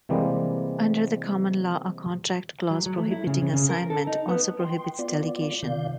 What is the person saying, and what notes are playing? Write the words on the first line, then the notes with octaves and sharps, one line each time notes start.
Under the common law, a contract clause prohibiting assignment also prohibits delegation.
C3 E3 G3 G#3 A#3
F#3
F#3
A3
E4
C#3
C#3
C#3
A#4
A4
D#4
B3
G5 C6
B3 F4 D5
C3 D#3 D5 F5 G6